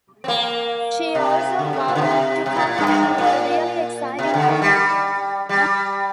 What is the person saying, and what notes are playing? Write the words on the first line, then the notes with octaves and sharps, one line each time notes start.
She also vowed to come back with a "really exciting" album.
C4
A#3
C3
D3
C3
A#2
D3
C3
C3
A#2
A#2
G2
G2
G#2
A#2
C3
D3
D#3
G3
G3